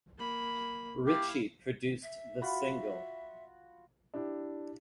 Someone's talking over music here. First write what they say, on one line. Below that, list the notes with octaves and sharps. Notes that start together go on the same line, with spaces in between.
Richie produced the single.
A#3 B5
E4 G4 F5
E5
F4 F#4 B5
D4 E4 G4